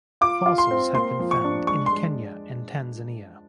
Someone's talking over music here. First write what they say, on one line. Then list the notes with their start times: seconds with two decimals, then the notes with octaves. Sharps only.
Fossils have been found in Kenya and Tanzania.
0.21 F4 D6
0.46 F4
0.58 C6
0.71 C4
0.94 A#3 C6
1.19 F3
1.31 C#6
1.44 D4
1.67 G#3 C#6
1.86 C6
1.92 G#3